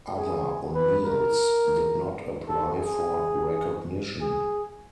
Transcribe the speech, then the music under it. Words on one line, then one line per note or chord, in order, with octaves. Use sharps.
Other O'Neills did not apply for recognition.
G#4
B4
A#4
A4
G#4
G#4